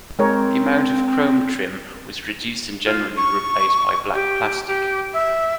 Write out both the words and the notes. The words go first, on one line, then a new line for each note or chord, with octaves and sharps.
The amount of chrome trim was reduced and generally replaced by black plastic.
G#3 C4 A#4 C#5
F4
C#6
G4
G4
E5